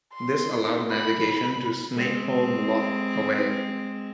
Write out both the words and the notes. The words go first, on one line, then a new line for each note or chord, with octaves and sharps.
This allowed navigation to Snakeholme Lock, away.
C6
B5
G#3 C4